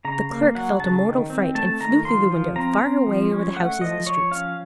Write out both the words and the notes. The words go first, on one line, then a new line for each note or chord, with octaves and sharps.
The Clerk felt a mortal fright, and flew through the window, far away over the houses and streets.
C#3 A#5
A#3
F#3 F#5
C#3 A5
D#3
C4
A3 A5
D#3 A#5
F3 C6
F3
C4 A#5
C4
F3
C#4
A3 F#5
F3 D#5
F3 C#5
C#4 F5